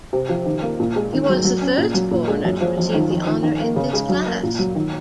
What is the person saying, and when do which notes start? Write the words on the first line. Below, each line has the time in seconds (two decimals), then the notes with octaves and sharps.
He was the first foreigner to receive the honor in this class.
0.13 C3
0.29 F3
0.45 D#3
0.62 A#3
0.80 A#2
0.96 G#3
1.13 D#3
1.29 F#3
1.45 F#3
1.62 C#4
1.78 A#2
1.94 F#3
2.11 A#2
2.28 G#3
2.45 F#2
2.61 F3
2.78 F2
2.94 D#3
3.11 F2
3.26 D#3
3.43 D#3
3.60 A#3
3.76 C#3
3.93 G#3
4.09 F#3
4.26 A#3
4.43 A#2
4.59 F#3
4.75 D#3